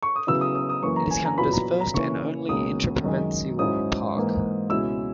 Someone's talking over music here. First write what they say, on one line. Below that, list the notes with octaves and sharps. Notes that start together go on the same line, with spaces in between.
It is Canada's first and only interprovincial park.
C#6
D#6
C#3 F#3 B3 E4 E6
D#6
D#6
D#6
F#2 E3 A#3 C#4 E4 C#6
A#5
G#5
A#5
A#2 F#3 B3 E4 B5
A#5
A#5
C#3 E3 A#3 C#4 E4 C#6
C#2 B2 A#3 C#4 D#6
F#2 D#3 G#3
G#2 F#3 C#4 E4 D#6
G#2 E3 A#3
C#2 B2 G#3 C#4 E4 E6